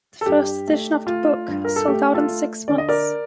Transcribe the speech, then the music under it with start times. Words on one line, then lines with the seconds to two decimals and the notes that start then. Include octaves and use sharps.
The first edition of the book sold out in six months.
0.21 A4
0.26 G2 G4
0.67 A3
1.07 A3 F4
1.48 G2
1.65 A#4
1.76 A4
1.88 A3 G4
2.14 F4 A4
2.28 A3
2.68 D3 D5
2.78 D#5
2.89 A#4 D5